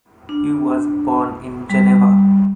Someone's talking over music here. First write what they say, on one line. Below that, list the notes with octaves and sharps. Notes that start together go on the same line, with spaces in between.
He was born in Geneva.
D4
G3